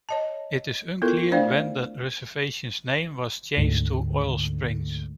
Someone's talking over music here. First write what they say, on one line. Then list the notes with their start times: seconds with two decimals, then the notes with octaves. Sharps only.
It is unclear when the reservation's name was changed to Oil Springs.
0.09 C#5 D#5 A5
1.02 B3 E4 F4 A4 A#4
1.32 A3 D4 C5 D5 F5 G5
3.56 D2 G#2 D3